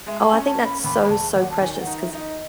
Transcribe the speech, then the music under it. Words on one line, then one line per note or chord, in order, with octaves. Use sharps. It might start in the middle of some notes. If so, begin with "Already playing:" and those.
oh, I think that's so, so precious 'cause,
G#3 E5
A5
G#5
C#4
A5
C#4
B5
D#2 B5
B5
D#2 A5
D#2 F#5
A5
D#3 G#5
G#5
F#5
D#4
E5
D#4 E5
D#5